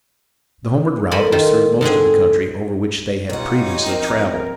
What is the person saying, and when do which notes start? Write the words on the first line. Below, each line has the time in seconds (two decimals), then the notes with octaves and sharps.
The homeward route was through most of the country over which they had previously traveled.
1.11 A4 A#4 C5 G#5 B5
1.32 D#3 F4 C5
1.81 G#2 D3 C4 G#4
3.30 B2 D#4 F4 G4 C#5 F#5
3.86 F3 C4 A#4